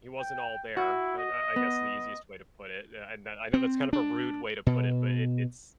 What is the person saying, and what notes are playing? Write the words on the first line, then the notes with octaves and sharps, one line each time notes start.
he wasn't all there. I I I guess the easiest way to put it, yeah, and I know I know that's kind of a rude way to put it, but it it's
G5
E4 F#4
D#5
B3
C4
D4
B2